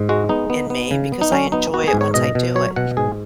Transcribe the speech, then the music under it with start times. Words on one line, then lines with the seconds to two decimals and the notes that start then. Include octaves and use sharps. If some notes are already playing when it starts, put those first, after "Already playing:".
in me, because I enjoy it once I do it.
Already playing: G#2
0.09 G#3 F#4
0.29 B3 D#4
0.50 B3
0.70 B3
0.91 C#3
1.12 B3
1.21 D#4
1.32 F#3 C#4
1.52 B3 D#4
1.74 B3 F#4
1.88 G#4
1.93 G#2
2.01 C#5
2.14 B2 D#5
2.35 B2
2.55 F#3 C#5
2.76 B2 F#5
2.97 G#2 G#4